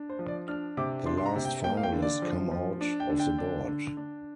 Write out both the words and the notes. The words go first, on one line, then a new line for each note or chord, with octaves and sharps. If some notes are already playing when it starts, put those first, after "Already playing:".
The last finalist come out of the board.
Already playing: D4
C5
F3
D5
D4 F6
C3 D6
D4 C6
C6
A#5
C3
G5
A#3 G5
F5
G5
D3
D5
F3
F3
D4
G5
D3
G5
D4
D3
D4